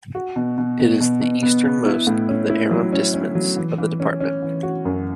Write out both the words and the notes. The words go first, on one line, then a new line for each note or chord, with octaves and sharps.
It is the easternmost of the arrondissements of the department.
F#4
B2
B2
B2
B2
B2
B3
B3
E4
A2
C#4
E4
F#3
C#4
C#4
F#3
E3
E3
C#4
C#4
E3
F#4
F#2